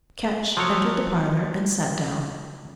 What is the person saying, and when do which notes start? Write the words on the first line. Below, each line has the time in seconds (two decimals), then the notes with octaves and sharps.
Ketch entered the parlour, and sat down.
0.57 F3 F#3 C#5